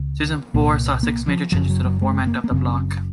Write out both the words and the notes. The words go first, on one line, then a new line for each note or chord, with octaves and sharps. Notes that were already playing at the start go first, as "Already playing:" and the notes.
Season four saw six major changes to the format of "The Block".
Already playing: C#2 C#3
C2 A#2 A#3
A#3
F3
F#1 F#2 C#3 F3
F#3
F#3
G#3
A#3
A#3
F#1 F#2 C#3 C4